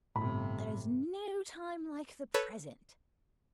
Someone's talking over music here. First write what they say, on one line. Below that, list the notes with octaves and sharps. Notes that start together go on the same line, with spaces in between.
There is no time like the present.
G1 A2 C3 B5
A4 B4 C#5